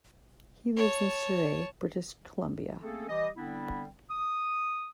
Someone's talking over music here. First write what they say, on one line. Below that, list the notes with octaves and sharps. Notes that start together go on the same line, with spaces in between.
He lives in Surrey, British Columbia.
C#5 A5
A3 A#3 C4 C#4 G#4 A4
E3 G3 G4 D#5
D3 G3 B3 C4 D4 E4
D#6